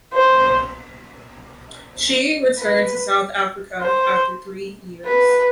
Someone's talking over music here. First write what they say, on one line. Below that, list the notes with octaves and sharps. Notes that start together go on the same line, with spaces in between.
She returned to South Africa after three years.
C5
B4
C5
B4